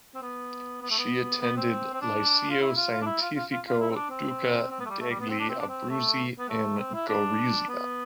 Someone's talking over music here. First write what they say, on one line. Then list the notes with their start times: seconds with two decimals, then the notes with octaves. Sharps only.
She attended liceo scientifico Duca degli Abruzzi in Gorizia.
0.15 C4
0.22 B3
0.82 B3
0.90 A3
0.98 B3
1.41 B3
1.57 C4
1.94 C4
2.01 D4
2.50 F4
2.61 E4
2.76 F4
2.90 F4
3.01 D4
3.06 E4
3.21 F4
3.36 F4
3.51 F4
3.67 F4
3.80 E4
3.91 C4
3.95 D4
4.10 C4
4.70 C4
4.80 B3
4.85 A3
4.89 G3
5.00 A3
5.10 G3
5.20 B3
5.29 C4
5.39 D4
5.48 C4
5.59 D4
5.68 C4
5.89 A3
6.39 B3
6.49 A3
6.79 C4
6.94 E4
7.08 D4
7.68 B3